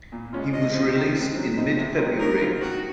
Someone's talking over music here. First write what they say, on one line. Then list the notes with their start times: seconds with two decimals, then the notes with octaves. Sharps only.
He was released in mid-February.
0.12 A#2
0.33 G#3 C#4 F4
0.53 F3 D#5
0.74 C4 F4
0.95 D#3
1.16 G#3 C4
1.37 F#3
1.57 C4 D#4
1.78 C3
1.99 F#3 C4 D#4
2.19 F#3 A#4
2.41 C4 F4
2.61 D#3 F#4